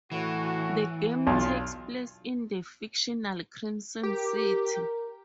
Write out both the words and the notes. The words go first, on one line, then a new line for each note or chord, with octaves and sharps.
The game takes place in the fictional Crimson City.
A2 E3 F#4
B1 D4 D#4 F4
G4 A#4